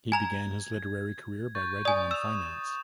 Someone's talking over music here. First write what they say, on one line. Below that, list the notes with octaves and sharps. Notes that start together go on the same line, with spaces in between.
He began his literary career by writing on finance.
G#5 A#5 G#6 F7
C#6 G6 A6
D5 G#5 D#6
E6 E7 F7